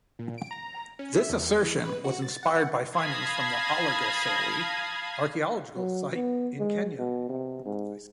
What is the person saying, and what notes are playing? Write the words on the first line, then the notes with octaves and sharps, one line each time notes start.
This assertion was inspired by findings from the Olorgesailie archaeological site in Kenya.
A#2
D7
A#5
C#4
E5
E2
E3
B4
F#4
A6
F#5
F5 A5 B5 D#6 G#6 A#6
F#3
B3
G#3
B2
C3
G#2